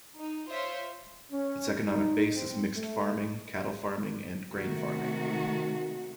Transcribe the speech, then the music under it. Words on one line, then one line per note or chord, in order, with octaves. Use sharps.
Its economic base is mixed farming, cattle farming, and grain farming.
D#4
F4 C5 C#5 E5 C6
C#4
D#4
C4
A3
C3 D#3 A3 F#4